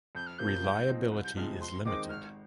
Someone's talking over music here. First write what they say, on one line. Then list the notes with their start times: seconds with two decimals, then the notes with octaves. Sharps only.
Reliability is limited.
0.15 F2 G6
0.26 F6
0.38 C3 F3 A#3 G6
0.64 G#2
0.88 F3 C4 D#4
1.12 C2
1.24 G6
1.36 C3 F3 G#3 C4 F6
1.60 F2 C6
1.85 D#3 G#3 C4 D#4 D6
2.09 G#1 F6